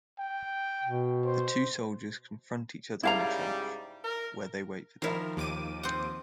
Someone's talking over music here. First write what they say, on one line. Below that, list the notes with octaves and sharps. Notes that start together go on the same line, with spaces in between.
The two soldiers confront each other in a trench, where they wait for dark.
G5
B2
C5
G#2 C#3 G3 E4 F5 A#5
A#4
D#3 F3 E4 A#4 F5
D#2 D6 D#7
C4 F#5